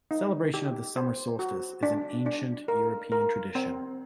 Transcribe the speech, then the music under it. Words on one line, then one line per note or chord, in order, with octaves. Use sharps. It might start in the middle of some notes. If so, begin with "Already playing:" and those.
Celebration of the summer solstice is an ancient European tradition.
D#4
G4
C5
F#4
D4
D4
A#4
A#4
C4